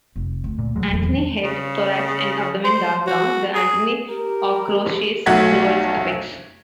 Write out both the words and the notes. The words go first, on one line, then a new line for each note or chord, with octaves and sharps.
Antennae, head, thorax and abdomen dark brown; the antennae ochraceous towards apex.
F1
D2
A#2
D#1 F#3 G#3
E2 D#3
C#3
C5
F#4
G#4
G4 A#4
B1 F#3 A3 F#5 G#6 B6